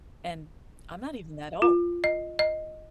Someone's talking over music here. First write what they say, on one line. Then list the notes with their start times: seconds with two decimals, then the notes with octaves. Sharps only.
and I'm not even that old.
1.62 F4
2.04 D#5
2.39 D#5